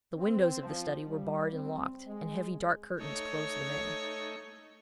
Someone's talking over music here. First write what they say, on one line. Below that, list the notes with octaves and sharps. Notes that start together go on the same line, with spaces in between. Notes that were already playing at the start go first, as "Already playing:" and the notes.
The windows of the study were barred and locked, and heavy dark curtains closed them in.
C4
F3
G3
C4
G#3
A3 D#4 C#5